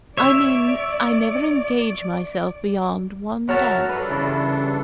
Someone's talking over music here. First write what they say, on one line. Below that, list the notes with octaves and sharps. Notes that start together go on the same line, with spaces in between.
'I mean, I never engage myself beyond one dance.
C#5 D5 E5
F#4 A#4 C#5 E5 A5 A#5
G2 D4 A4 B4
C#3 E3